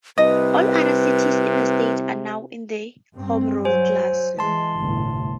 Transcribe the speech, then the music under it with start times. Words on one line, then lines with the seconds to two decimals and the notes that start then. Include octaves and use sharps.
All other cities in the state are now in the home rule class.
0.18 C2 C3 B4 D#5
3.16 G2 C4
3.65 F#3 C5 G#5
4.39 E3 G#3 A5 C6
4.79 G1 C2 A2